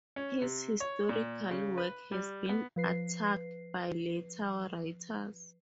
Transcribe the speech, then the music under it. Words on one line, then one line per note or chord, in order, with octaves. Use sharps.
His historical work has been attacked by later writers.
C#4
C3
C#5
A#2
C#3
B4
G3
B3
F3 B4 C7